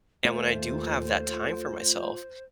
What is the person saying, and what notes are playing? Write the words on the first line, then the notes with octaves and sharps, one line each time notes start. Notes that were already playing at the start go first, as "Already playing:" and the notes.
And when I do have that time for myself,
D#2 A3 F4 C5